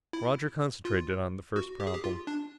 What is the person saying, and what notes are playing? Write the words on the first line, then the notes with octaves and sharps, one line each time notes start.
Roger concentrated on the first problem.
E4
F4
F#4
G4
G#4
G4
F4
D4